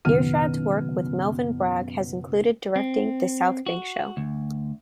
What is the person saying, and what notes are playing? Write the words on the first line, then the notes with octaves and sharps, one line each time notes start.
Irshad's work with Melvyn Bragg has included directing "The South Bank Show".
F#1 B2 D#3 B3 F6 D#7
C4
F#4
D2